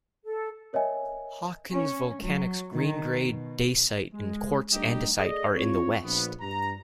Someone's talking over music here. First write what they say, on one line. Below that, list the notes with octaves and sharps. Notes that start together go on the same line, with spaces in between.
Hawkins volcanics green grey dacite and quartz andesite are in the west.
A4
A#4 C#5 D#5 E5 G#5
C#4
F#3
D#3
B2
G#3
G3 A3 D4 D#4 G4 D#5
G#4 A4 D5 D#5
C4 E4 F4 C#5
A#1 B3
G2 A#5